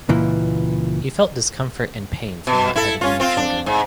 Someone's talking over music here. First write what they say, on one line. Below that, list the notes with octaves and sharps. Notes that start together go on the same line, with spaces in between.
He felt discomfort and pain for not having any children.
C#2 A#2 E3
B2
E4 A4
C#4 F4
C4 F4
D4
G#2